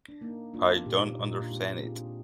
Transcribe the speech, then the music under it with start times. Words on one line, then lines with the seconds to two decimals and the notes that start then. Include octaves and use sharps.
I don't understand it.
0.09 D4
0.21 A#3 D#4
0.54 A#3 D4 F4
0.86 A#2 D#4 G4
1.08 D#4
1.19 A#2 D#4
1.29 D4 F4
1.50 G#3 D#4 G4
1.83 C4 F4 G#4
1.96 D4
2.06 D#4